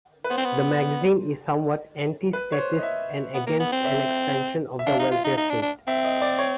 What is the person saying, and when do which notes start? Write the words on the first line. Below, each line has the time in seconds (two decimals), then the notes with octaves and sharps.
The magazine is somewhat anti-statist and against an expanison of the welfare state.
0.24 B4
0.30 B3 C5
0.37 C4
0.45 B3
2.33 B4
2.52 C#5
2.59 C5
2.79 D#5
2.83 E5
3.34 B3
3.47 A#3
3.60 B3
3.72 C4
3.85 E5
4.79 E5
4.86 D4 F5
4.99 D#4
5.11 F4
5.24 D#4
5.37 D#4
5.49 D4
5.62 D4
5.87 C4 E5
6.05 D#5
6.22 D5
6.39 C#5